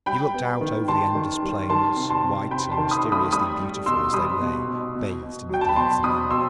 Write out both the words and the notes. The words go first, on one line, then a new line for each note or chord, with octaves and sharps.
He looked out over the endless plains, white and mysteriously beautiful as they lay bathed in the glow of the moon.
G3 G5 B5
B3
D#3
D#3 A5 C6
D#3
G3
D#3 A5 C6
C3
A5 C6
C3
C3 G5 B5
A5 C6
D#3
B5 D#6
A3
B5 D#6
G3 B5 D#6
G3
B2 C6 E6
G3 B5 D#6
B2
B2
B2
B2
F#3 G5
A5
B5
B2 A5 C6
B2 B5 D#6
B2 C6 E6